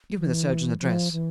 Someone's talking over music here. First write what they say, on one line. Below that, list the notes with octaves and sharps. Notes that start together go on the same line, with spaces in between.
Give me the surgeon's address.
E3
F3
E3